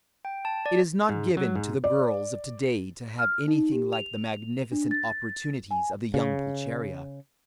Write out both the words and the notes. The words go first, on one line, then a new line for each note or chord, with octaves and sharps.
It is not given to the girls of to-day to have any thing like the magnificent opportunities of the young Pulcheria.
G5
A5
D5
G#2
F#3
G#2
D5
F6
D#4
G4
F7
D4
A6
G#5
C#3